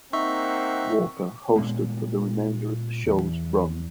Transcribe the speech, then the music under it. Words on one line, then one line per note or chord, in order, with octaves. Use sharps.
Walker hosted for the remainder of the show's run.
A#3 C4 D#4 E5 F#5 C#6
A#2 G#3 A#3 B3
E2